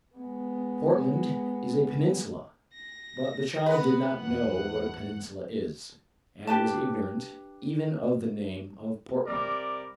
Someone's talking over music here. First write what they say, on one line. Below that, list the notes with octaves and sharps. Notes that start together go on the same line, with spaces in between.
Portland is a peninsula; but the child did not know what a peninsula is, and was ignorant even of the name of Portland.
G#3 B3
A#6
B3 B4
E2 F#5 F#6
D4 G4 B4 A5
C3 G3 A#4 D5